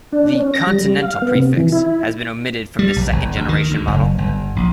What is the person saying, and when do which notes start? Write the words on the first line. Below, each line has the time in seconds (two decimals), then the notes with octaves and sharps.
The "Continental" prefix has been omitted from this second generation model.
0.12 D4
0.35 C#4
0.54 A#6
0.67 G3
0.81 G3
1.02 F5
1.22 B3
1.35 C3
1.57 E3
1.72 E4
2.79 G3
2.96 B1
3.12 G1
3.36 D2
3.49 D#3
3.71 D2
3.87 F#1
4.18 G1
4.56 A#1